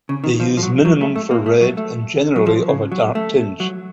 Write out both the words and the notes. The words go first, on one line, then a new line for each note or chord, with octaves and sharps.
They used minium for red, and generally of a dark tinge.
C#3
D#3
F3
F3
F#3
F#3
A3
A3
A#3
A3
F#3
A3
F#3
F3
C#3
F#3
A3
F#3